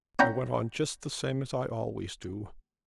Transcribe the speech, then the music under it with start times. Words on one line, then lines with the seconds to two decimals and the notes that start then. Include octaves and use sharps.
I went on just the same as I always do.
0.19 C#4 F#5 G5 A#5